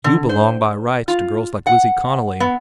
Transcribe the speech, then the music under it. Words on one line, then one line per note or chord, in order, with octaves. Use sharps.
You belong by rights to girls like Lizzie Connolly.
D3
C5
F4
F#5
B3